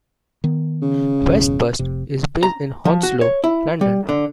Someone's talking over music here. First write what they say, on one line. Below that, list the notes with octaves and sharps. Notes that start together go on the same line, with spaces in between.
Westbus is based in Hounslow, London.
D#3 B3
C#3
G1 E2 B2
F1 C3
A#5
F3
F#4
C#5
E4
G3
D3